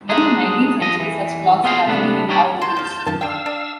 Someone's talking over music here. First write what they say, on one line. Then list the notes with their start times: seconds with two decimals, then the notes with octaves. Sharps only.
During the nineteenth century such clocks gradually went out of use.
0.09 G#3 D4 D#4 G#4
0.81 F3 D#5
1.00 E3
1.64 B3 F4 G#4 C5 F5
1.87 C3 A3 B3 D4
2.29 G3 D#4 G4 C#5 D5
2.61 F#3 A5 C6 C#6 G6
2.77 F3 F4
3.06 F#2 D#3 F3 F4 A5
3.21 D4 F5 G5 E6
3.46 D4